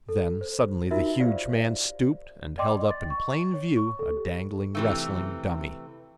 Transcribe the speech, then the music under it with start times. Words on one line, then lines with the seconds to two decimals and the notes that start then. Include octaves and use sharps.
Then suddenly the huge man stooped and held up in plain view a dangling wrestling dummy.
0.09 A4
0.41 C5
0.91 D#4 F4 F#4 A#4 E5
1.20 G4 C5 D5 F5
2.58 D5 D#5 G5 C6 D6
2.91 A6
3.10 C#6
3.54 C#5
3.77 C#6
3.99 A4
4.16 G4
4.75 C3 E3 A3